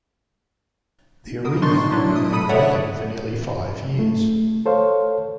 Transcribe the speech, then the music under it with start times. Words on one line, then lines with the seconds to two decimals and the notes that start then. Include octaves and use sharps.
The arena remained vacant for nearly five years.
1.44 B3 A#4 D#6
1.62 D4 D#4 C6 C#6 A6
1.91 F#3 D4 E4
2.16 D#6
2.33 A4 B5 D#6 D#7
2.49 A4 C#5 D5 E5 F#5
3.99 A3
4.66 A4 C5 C#5 F5